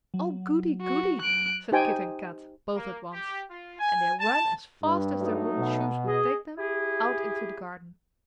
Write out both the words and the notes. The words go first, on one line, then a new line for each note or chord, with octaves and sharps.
"Oh, goody, goody!" said Kit and Kat, both at once; and they ran as fast as their wooden shoes would take them out into the garden.
F#3
F#4
F#6 D7
D#4 G4 C5 G5 G#5
A#3
G4
F4
G#5
A5
G2
F#3 A3 D#4
B2
G#4 D#5
E4 G4 G#4